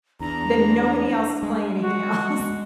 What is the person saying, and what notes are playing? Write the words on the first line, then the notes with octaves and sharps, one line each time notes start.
then nobody else is playing anything else.
E2 D4 A#5
G#3
F#4